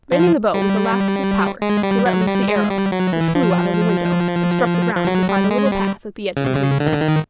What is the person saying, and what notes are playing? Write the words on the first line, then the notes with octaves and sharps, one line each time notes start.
Bending the bow with the last of his power, he let loose the arrow which flew out of the window and struck the ground beside a little path at the edge of the greenwood.
F3
G3
G#3
G3
F#3
G3
G#3
G3
F#3
E3
F3
F3
F#3
G3
G#3
G3
C#3
C3
C#3
D3
D#3
D3
D#3